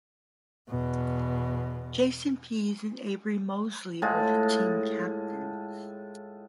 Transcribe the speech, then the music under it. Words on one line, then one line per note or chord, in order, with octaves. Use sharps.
Jason Pease and Avery Moseley were the team captains.
E2 B2
A2 G#3 F4